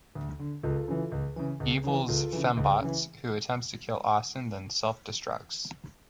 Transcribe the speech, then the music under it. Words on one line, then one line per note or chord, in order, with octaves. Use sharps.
Evil's fembots, who attempts to kill Austin, then self-destructs.
D2
D3
C#2 F4 A4
C#3 E3
C#2
C#3 E3
C#2
C#3 E3
C#2 F4 A4
C#3 E3
C#2
C#3 E3